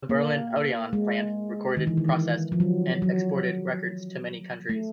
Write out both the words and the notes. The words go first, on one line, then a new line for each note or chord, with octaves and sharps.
The Berlin Odeon plant recorded, processed, and exported records to many countries.
A#3
G#3
D#3
E3
D#3
E3
F3
F#3
F#3
A3